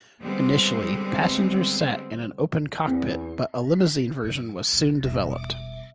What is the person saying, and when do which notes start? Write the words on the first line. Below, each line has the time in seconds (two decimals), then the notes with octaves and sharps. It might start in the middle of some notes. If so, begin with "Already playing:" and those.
Initially, passengers sat in an open cockpit, but a Limousine version was soon developed.
0.20 D3 G3 G#3 B3 C4
2.88 E2 C4
4.23 F#2 D3
4.73 C2
5.04 E1 G3 E5
5.38 E5